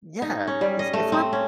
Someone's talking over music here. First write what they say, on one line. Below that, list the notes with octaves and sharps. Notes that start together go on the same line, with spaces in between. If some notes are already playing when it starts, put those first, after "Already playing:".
Yeah, 'cause if we’re
D#4
C#4
G3
D#5
A3
C4
C#4